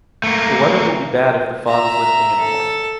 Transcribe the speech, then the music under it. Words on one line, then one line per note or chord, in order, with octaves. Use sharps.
The weather will be bad if the fog is lifting in the morning.
A3 A#3
E5 A#5
A4